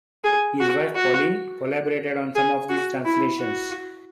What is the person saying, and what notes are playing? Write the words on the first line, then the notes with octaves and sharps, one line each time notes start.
His wife, Pauline, collaborated on some of these translations.
G#4
F#4
F#4
G#4
F#4
E4
F#4